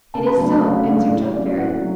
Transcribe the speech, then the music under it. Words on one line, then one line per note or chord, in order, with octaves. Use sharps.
"It is so," answered John Ferrier.
C#3 A5
B5
F#3 A3 D4 A5
B5
C#3 F5
F#5
F5
F#3 A3 D4 F#5
F5
A2 D5
C#5
F#3 C#4 D5
D5
A2 F#5
F#3